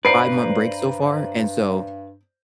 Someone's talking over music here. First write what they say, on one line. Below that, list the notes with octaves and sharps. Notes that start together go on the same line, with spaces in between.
five-month break so far, and so
G2 B4 C5 D5 A#5 C7 D7